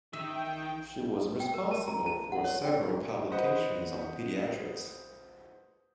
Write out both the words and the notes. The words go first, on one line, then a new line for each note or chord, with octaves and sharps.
She was responsible for several publications on pediatrics.
D#3 E5 G5
G5
A#4
A5
A#5
A5
F#5
C#5
G5
B4 C5 D#5 F#5